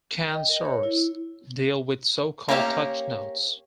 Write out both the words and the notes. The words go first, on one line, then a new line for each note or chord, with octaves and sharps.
Kan-swars deal with so called "touch notes".
G5
D#5
A#4
C#5
E4
A#3 C#4 G4 A#4 E5